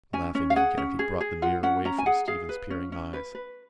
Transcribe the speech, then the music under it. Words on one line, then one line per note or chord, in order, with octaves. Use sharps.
Laughing again, he brought the mirror away from Stephen's peering eyes.
C#4 G#5
C#4
F5
G#4 F#5
C#4
G#4
G#4
F4 F#5
C#4 F#5
C#4 A#5
G#5
G#4 F#5
G#4 F5
B4
C#4
C#4
B4
B4